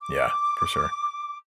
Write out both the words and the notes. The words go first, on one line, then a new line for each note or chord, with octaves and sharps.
Yeah. For sure.
D6